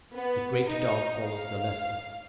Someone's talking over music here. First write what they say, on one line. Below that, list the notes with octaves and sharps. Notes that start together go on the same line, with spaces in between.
The Greater Dog follows the Lesser.
B3
D#4
F5